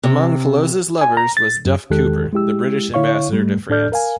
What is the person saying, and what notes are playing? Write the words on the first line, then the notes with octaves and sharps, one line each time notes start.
Among Fellowes's lovers was Duff Cooper, the British ambassador to France.
C3
G#5
A#5
A6
F#2
E2 D#3 G#3 G4 A4 F#6
G#3 E4 G4 E6
D3 E4 C#5 F5 C#6
G#2 G3 A3
A2 D4 A4 D5 F6 G6
A#4 F5 G#5